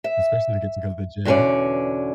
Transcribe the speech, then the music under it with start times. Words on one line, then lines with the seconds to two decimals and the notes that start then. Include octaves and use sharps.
Especially to get to go to the gym.
0.04 E5
1.25 E2 B2 D3 G3 C#4 D5